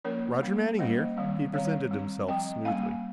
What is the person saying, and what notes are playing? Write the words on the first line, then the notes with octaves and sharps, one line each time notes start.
"Roger Manning here," he presented himself smoothly.
F3 A#3 C#4 A#4 C#5
G3 A#3 C#4
G3 A#3 C#4 C5 D#5
D#3 G3 C4
D#3 G3 C4 C#5 F5
G3 C4
F3 C4 D#5 G5
G3 A#3 C#4 F5 G#5